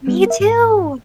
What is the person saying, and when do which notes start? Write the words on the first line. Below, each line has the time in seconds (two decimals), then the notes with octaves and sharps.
Me too.
0.07 G3 B3
0.26 A#4 E5
0.40 G#2